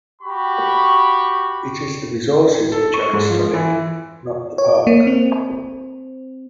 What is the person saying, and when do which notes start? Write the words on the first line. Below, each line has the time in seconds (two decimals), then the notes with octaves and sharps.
It is the resources which are historic, not the park.
0.22 F#4 G4 B5 C#6
2.72 A4
2.94 C#6
3.13 G#2
3.30 F3
3.53 E3
4.58 C#5
4.87 A#3
5.07 C4